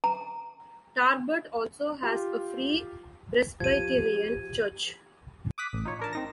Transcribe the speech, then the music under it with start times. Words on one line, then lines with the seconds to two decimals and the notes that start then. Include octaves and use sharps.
Tarbert also has a Free Presbyterian church.
0.04 A#5
2.03 F4 G4
3.60 F3 G4 G#6 D#7
5.58 D6 D#6 F#6 B6
5.73 A1
5.85 D#4 F4 C#5
5.99 D4 A#4 A5
6.13 C4 D#4 A#6